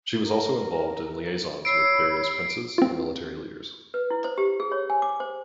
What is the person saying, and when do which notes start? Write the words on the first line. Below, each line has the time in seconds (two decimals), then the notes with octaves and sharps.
She was also involved in liaisons with various princes and military leaders.
0.20 A#4
1.65 C#5 B5 E6 C7 D7
2.78 C4 F4
3.94 B4
4.10 E4
4.24 C5
4.38 G4
4.60 G#4
4.72 C#5
4.90 G#5
5.02 D6
5.20 C5